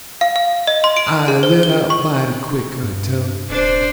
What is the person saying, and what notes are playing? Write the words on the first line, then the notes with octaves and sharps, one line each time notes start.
I lit out mighty quick, I tell you.
F5
F5
D#5
C6
D7
G#4
C5
G7
C#6
G2
D#1 D4 C5